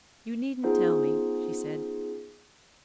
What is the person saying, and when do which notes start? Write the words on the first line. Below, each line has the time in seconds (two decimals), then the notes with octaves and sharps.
"You needn't tell me," she said.
0.63 B3 C#4 D#4 F4 G#4 C5